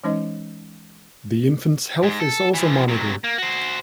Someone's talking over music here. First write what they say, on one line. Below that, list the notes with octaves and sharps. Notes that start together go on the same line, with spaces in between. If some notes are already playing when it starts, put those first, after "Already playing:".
The infant's health is also monitored.
E3 G#3 C#4 D#4 C5 D#5
G#2 G#3
A4
E3 F3
C3 F#3
A#3
F#4 C5